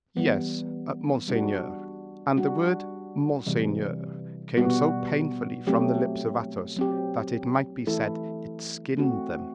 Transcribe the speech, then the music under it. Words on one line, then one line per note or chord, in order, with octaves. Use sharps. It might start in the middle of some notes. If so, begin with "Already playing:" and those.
"Yes, monseigneur." And the word "monseigneur" came so painfully from the lips of Athos that it might be said it skinned them.
E3 G3 B3
G3 D4 F#4
G3 D4 F#4
C3 E3 G3
B2 G3 B3 F#4
F#3 A3 C4 G4
F#3 C4 G4
E3 A3 E4 A4
A3 C4 F#4